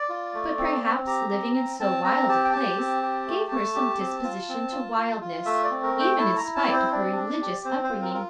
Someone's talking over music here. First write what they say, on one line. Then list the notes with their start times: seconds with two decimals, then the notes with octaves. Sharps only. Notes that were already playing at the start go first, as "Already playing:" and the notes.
But perhaps living in so wild a place gave her some disposition to wildness, even in spite of her religious upbringing.
Already playing: D5
0.09 F4
0.34 A3
0.58 C4
0.83 C4
1.07 G4 A#5
1.32 C4
1.56 C4
1.80 C4 A5
2.04 C4 A#5
2.28 G4 A5
2.44 G5
2.52 G4 A5
2.78 C4
3.02 G4
3.27 A3
3.51 A3
3.75 G4
3.99 C4
4.24 F4
4.49 C4
4.72 F4
4.97 F4
5.21 F4
5.45 A3 E5
5.63 D5
5.71 C4
5.83 A#4
5.95 A3
6.00 G5
6.18 E4 A5
6.38 A#5
6.43 E4
6.56 A5
6.67 C4 D5
6.73 C5
6.91 D4 D5
7.16 D4
7.41 G4
7.65 C4 C5
7.84 C5
7.89 F4
8.02 A#4
8.14 F4 A#4